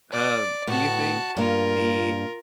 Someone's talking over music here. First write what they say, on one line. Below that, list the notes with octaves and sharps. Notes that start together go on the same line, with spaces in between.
Um, do you think the
D5
A2 B3 F#4 A5
G2 A#3 F4 A#4